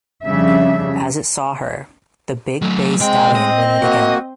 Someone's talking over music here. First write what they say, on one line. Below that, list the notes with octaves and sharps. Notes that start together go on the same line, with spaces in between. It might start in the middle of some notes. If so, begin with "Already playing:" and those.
As it saw her, the big bay stallion whinneyed again.
F2 C#3 G3 D4 E5
F#3 A3
C3 G#3 C4 G5
D#5
A#3 F#4